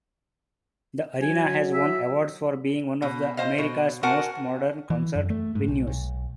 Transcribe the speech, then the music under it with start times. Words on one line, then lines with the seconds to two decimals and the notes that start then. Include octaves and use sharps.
The arena has won awards for being one of America's most modern concert venues.
1.22 F#3 G#5
1.74 E5
3.02 B2
3.37 C5 D#5 F5
3.58 B2
4.03 F#4 A#4 C5 F#5 G#5 A5
4.90 E3
5.16 F#2
5.30 A3
5.55 G#2
5.68 B1
5.87 B1